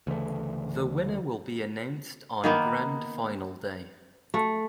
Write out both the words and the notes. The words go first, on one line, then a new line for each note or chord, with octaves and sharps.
The winner will be announced on Grand Final day.
D2 C#3 E3 A3
D#3 A#3 B3
A3